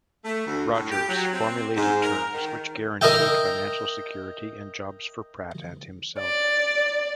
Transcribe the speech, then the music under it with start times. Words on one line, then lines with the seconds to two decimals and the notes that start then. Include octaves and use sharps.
Rogers formulated terms, which guaranteed financial security and jobs for Pratt and himself.
0.25 A3
0.46 D2
0.73 A2
0.91 G4
1.08 F#3
1.33 C4
1.76 G#2
2.01 A#4
2.33 D#3
3.01 D#4 A#4 D#5 E5 G5
6.17 D5